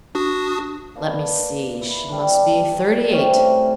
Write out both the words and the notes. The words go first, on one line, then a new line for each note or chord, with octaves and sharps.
Let me see--she must be thirty-eight.
D4 F#4 D#6
A#3 D4 B4
E4
G3 D4
A2 C3 C#4 D5